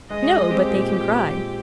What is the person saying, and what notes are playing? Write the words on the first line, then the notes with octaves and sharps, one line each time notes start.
No, but they can cry.
G#3 D#5
G#3
C4 G4
A#2
A#2
G#3